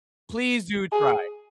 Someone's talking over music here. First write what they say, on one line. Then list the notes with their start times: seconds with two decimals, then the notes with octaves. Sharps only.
Please do try.
0.92 G#4